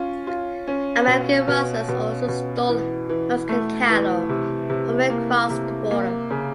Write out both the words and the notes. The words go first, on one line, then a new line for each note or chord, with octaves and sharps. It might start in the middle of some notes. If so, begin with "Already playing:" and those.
American rustlers also stole Mexican cattle from across the border.
Already playing: C#4 F4
F4
C#4
B2
B2
B2
B2
E3
E3
A3
E3
C3
C3
A#3
C3
A#3
C#3